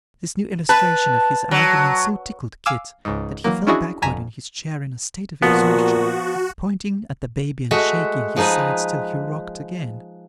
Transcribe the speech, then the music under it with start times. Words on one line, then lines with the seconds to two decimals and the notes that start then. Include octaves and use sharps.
This new illustration of his argument so tickled Kit, that he fell backward in his chair in a state of exhaustion, pointing at the baby and shaking his sides till he rocked again.
0.69 B4 A5
1.51 F#3
2.66 F5 G#5 D6 E6
3.05 C#2 G#2
3.44 E3 F#3 A#3
3.67 C#4 D4 E4 F#4 G#4 D#5
4.02 G1 F2 G#5 A#5 B6 E7
5.42 A#2 F3 B3 F#4
7.71 G#3 A3 F#4 E5
8.36 F3 G#3 D#4 G#4 B4